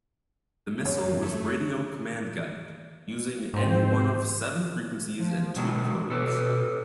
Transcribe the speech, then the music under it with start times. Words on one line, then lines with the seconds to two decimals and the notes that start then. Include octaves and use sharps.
The missile was radio-command guided, using any one of seven frequencies and two codes.
0.85 F#2 C#5
1.22 A3
3.54 G#2 C4 C5
5.19 F3
5.56 B2 D3 F#3 G#3
6.10 B2 G4 A4 B4